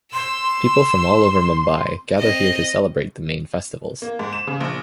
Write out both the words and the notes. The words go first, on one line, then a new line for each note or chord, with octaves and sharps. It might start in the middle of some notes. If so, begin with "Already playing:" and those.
People from all over Mumbai gather here to celebrate the main festivals.
C6 E6
C4 D#5
A#3
G#2
E7
C#3
A#1